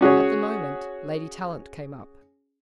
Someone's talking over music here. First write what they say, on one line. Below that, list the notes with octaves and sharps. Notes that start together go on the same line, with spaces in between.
At the moment, Lady Tallant came up.
C#4 F#4 G#4 C#5